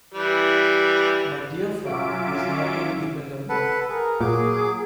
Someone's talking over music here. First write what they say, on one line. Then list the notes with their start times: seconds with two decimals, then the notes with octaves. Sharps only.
My dear friend, he is not to be depended on.
0.14 E3 G3
1.84 F#3 C#4 F4 E5 D6 D7
3.49 A4 B4 F#5
3.89 G#4 A#4
4.21 A#2 F#3 G#4 D6